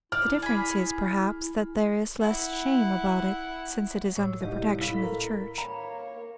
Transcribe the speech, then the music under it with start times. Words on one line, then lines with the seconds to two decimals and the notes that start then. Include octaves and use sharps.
The difference is, perhaps, that there is less shame about it, since it is under the protection of the Church.
0.12 E4 D5 F6
0.42 G#4 B5
2.20 E4 F#5
4.16 A2 C#5 E6
4.41 C2 G#2 G4 D#5
4.81 C#4 E4 A4 F5 B5 B6
5.03 A#4
5.58 A#3 C#5 A#5 B5